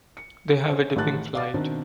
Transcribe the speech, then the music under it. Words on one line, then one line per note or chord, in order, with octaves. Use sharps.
They have a dipping flight.
C#7
C#4 C5
A1 D#3 G4 A5 F#6 A6
D5 F5 D6 A6
B2 D#3 C4 D4